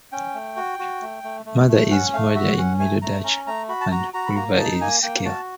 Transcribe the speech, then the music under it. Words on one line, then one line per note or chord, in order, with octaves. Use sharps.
Mother is moeder in Middle Dutch, and river is Kille.
C#4 G5
A3
F#4
F#4
A3
A3
A3
A3
C#4 F#5
A3 F5
F#4 E5
C#4 F#5
A3 G#5
A3 A#5
C#4 A#5
A3 A#5
F#4 B5
A5
F#4 A#5
F#4 A#5
B5
A#3 A#5
D#4 A5
A#3 G#5
A#3 G5
F#4 A5